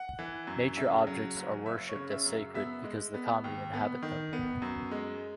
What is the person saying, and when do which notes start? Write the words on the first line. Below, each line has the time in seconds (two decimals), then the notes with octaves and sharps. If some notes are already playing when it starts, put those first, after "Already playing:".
Nature objects are worshipped as sacred, because the kami inhabit them.
Already playing: F#5
0.19 E3
0.47 F#2
0.77 C#3 E5
1.07 F#3
1.36 F#1
1.66 F#1 E5
1.89 C#5
1.96 C#3
2.10 E5
2.26 F#2
2.32 E5
2.54 B3 E5
2.84 G#3
3.14 B3
3.44 D#2
3.73 B3
4.02 D#3
4.33 B3
4.62 F#2
4.91 G#3